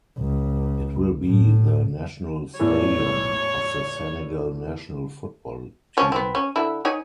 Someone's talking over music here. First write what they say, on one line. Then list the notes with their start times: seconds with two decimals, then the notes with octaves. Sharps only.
It will be the national stadium of the Senegal national football team.
0.19 C#2
1.25 A2
2.60 E2 A2 E3 C#5
5.97 F3 C#4
6.12 B3 C4
6.35 C#4
6.56 D3 E4
6.85 D#4 C#5 G#5